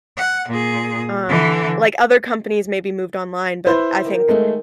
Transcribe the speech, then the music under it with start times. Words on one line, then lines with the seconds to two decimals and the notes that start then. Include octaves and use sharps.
Um, like, other companies maybe moved online, but I think
0.17 F#5
0.48 A#2 G#4
1.28 D3 E3
3.67 E4 B4 C5
4.05 D#3 A#3 G4
4.29 G#3 A3